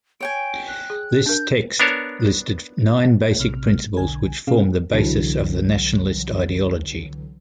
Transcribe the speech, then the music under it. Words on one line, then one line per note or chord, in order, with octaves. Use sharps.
This text listed nine basic principles which formed the basis of the nationalist ideology.
C#5 G5 G#5 D7
F#6
G#4
D4 A#4 G6
B3 D4 A#4 C#5 A5
A#1 C3 F6
B1 D3 G#5
C3 C#4 G#4 F5
C2 D3 E3 F#3